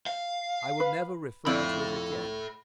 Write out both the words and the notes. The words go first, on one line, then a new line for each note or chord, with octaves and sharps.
I will never refer to it again.
F5
B4
F2 E4 A4 D5 B5